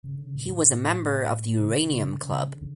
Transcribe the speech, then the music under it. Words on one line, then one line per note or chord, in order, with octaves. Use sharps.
He was a member of the Uranium Club.
C#3
D3
C#3
A#2
A2
G#2
A2
C#3
D3
C#3
D3
C#3
D3